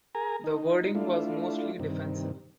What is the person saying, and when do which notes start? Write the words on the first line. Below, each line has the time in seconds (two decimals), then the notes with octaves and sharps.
The wording was mostly defensive.
0.15 G#4 A#4 G#5 A#5
0.44 D#4
0.95 A3 D4 E4 F4
1.79 G2 C3 D#3